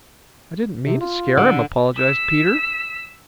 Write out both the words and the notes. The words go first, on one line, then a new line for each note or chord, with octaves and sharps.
"I didn't mean to scare him," apologized Peter.
C3
F4
D3
E6 B6